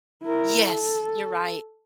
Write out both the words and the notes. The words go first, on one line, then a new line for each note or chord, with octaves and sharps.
Yes, you're right.
E4 A#4
A4